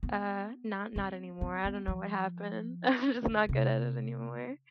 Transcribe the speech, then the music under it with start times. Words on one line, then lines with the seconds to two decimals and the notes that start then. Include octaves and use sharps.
uh, not not anymore, I don't know what happened. I'm just not good at it anymore.
0.03 B3
0.96 C4
1.41 C4
1.65 B3
1.88 F3
3.26 D3
3.49 C3